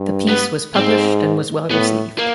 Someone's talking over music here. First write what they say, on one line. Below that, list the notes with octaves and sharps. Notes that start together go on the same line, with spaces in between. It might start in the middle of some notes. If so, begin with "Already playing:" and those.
The piece was published and was well received.
Already playing: G2
B3
G#2 C4
A2 B3
A#3